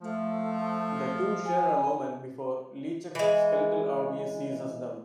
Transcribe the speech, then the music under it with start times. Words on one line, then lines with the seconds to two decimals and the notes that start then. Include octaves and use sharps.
The two share a moment before LeChuck's skeletal army seizes them.
0.02 F3 A3
1.46 G#5
3.15 E3 G#3